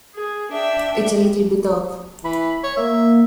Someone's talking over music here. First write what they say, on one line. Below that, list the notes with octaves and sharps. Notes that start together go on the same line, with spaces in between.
It's a little bit off.
G#4
D4 E5 G5
E3 B5
C#5
A#3 E5